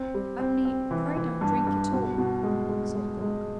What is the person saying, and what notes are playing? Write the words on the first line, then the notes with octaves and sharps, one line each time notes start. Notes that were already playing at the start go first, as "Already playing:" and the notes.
"Only pray don't drink it all," said Gluck.
Already playing: C4
G3
C4
C4
E3
E3
G2
G2
B2
B2
G#3
G#3
G#3
G#3